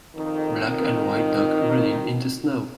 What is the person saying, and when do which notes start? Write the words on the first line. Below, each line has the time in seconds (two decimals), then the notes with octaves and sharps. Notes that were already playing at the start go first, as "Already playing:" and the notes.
Black and white dog running in the snow.
0.15 F2 D#3